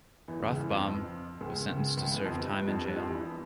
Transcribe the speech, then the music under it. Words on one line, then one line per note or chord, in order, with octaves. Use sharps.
Rothbaum was sentenced to serve time in jail.
E2 E3
C#2 C#3
E2 E3
F2 F3
F2 F3
C#2 C#3
C#2 C#3
C#2 C#3
E2 E3
F2 F3
G2 G3
G2 G3
F2 F3
G2 G3
F2 F3
E2 E3